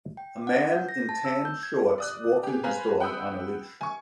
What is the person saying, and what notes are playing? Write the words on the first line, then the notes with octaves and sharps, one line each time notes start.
A man in tan shorts walking his dog on a leash.
G5
F#5
G6
A#6
A5
E6
G6
G#6
D5 D#6 F#6
G4 G#4
B4 C5 F5 G#5 A#5 B5
F#5 G5 B5 D#6 E6
G#5 C#6